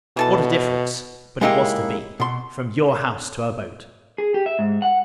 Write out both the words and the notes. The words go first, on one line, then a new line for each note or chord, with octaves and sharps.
What a difference--but it was to be--from your house to a boat!
B2 E3 A4 A5
G#3 A#3 D#4 E4 G4
B2 C6
G#4
G4
E5
G#2
F#5